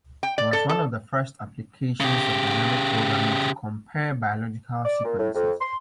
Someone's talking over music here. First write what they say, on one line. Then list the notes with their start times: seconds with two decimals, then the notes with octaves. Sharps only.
It was one of the first applications of dynamic programming to compare biological sequences.
0.23 G5
0.38 D5
0.53 A4
0.69 A4
2.01 C#3 G4
4.85 D5
5.05 A#2
5.18 A2
5.35 F2
5.61 C6